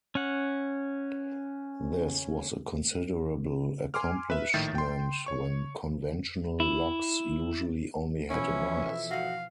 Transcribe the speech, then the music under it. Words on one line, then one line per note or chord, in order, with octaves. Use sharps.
This was a considerable accomplishment when conventional locks usually only had a rise.
C#4 F#5
G#5 C6 D6 F6
B4 E5
A#1 A2 D#3 E5 G6 A6
G5 C6
C#5 C#6
E4
F2 B2 E3 F3 C#4 E4 F4 E5
G#2 F#4 F5